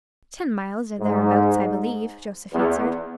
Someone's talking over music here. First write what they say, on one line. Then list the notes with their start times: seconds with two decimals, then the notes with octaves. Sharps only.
"Ten miles, or thereabouts, I believe," Joseph answered.
1.00 G#2
2.53 E2